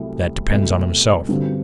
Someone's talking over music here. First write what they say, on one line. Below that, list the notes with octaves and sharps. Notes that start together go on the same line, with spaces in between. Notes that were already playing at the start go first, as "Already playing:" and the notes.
'That depends on himself.
Already playing: C2 C3 F#3 A3 E4
C2 B2 A3 E4
G2 D3 G3 C4 F#4